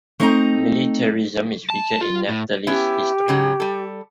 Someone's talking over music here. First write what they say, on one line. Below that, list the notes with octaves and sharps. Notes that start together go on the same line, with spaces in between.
Militarism is featured in Naphtali's history.
A3 C4 D#4 D#5 F5 A#5
A5
F4
A2
B3 C#4 E4 G4
G#2 C#3 F#3
G3 A4